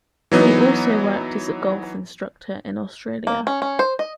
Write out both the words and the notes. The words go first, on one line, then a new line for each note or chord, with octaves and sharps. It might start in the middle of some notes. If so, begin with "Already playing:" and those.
He also worked as a golf instructor in Australia.
E3 F#3 B3 D#4
A#3
C#4
C#4
C5
D#5